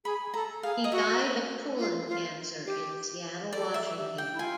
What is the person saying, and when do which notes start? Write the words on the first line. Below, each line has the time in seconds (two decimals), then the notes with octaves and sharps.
He died of colon cancer in Seattle, Washington.
0.05 G#4 B5
0.34 A4 A#5
0.62 G#4 F5
0.84 D#5
0.92 F#4 E5
1.78 F4
2.08 F4
2.66 G4
3.53 A4 D5
3.74 E5
3.96 G4
4.18 G5
4.33 E4
4.39 F4 G#5